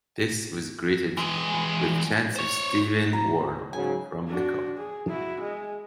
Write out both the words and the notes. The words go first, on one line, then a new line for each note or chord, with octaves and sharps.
This was greeted with chants of 'Stephen Warnock' from the Kop.
E3 G#3
C5 C#5
A#5
G#2 C#3 F#3 G#5
D4 F#4
G#4
E4 F#4
G#3